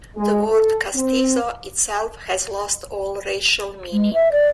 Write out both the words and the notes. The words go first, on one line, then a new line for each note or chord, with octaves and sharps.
The word "castizo" itself has lost all racial meaning.
G#3
A4
C4
G#3
E5
D5